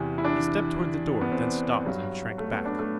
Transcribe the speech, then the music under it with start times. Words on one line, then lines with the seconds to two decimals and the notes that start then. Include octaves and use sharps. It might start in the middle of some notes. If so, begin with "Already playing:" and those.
He stepped toward the door; then stopped and shrank back.
Already playing: E2 C3 E3
0.18 E4
0.25 D4
1.21 B3
1.32 C4
1.85 G2 F#3
2.38 A3
2.52 B3
2.66 D4
2.79 A3